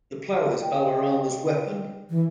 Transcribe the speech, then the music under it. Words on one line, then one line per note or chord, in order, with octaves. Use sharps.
The plow is Balarama's weapon.
D5 D#5 G5
E3